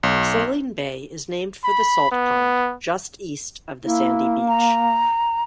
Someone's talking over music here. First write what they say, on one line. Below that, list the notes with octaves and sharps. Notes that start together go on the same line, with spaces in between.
Saline Bay is named for the salt pond just east of the sandy beach.
B1
B5
B3
A#3 E4
A#5